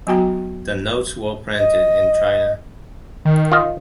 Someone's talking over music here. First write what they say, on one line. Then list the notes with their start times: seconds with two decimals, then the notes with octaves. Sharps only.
The notes were printed in China.
0.07 F#3 B3 F#4 G5 A#5
1.58 D#5
3.25 D#3
3.52 F4 D#5